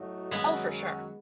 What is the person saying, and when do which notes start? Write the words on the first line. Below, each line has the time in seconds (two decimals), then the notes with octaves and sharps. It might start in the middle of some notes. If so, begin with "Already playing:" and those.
Oh, for sure.
Already playing: A2 F#3 A3 D#4 F#4
0.31 F#2 D#3 F#3 G#3 B3 C#4 F#4